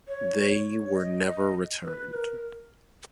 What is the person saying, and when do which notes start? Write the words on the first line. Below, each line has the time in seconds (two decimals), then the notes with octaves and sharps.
They were never returned.
0.08 C#5
0.53 C#5
0.96 D#5
1.26 D#5
1.85 B4
2.14 A#4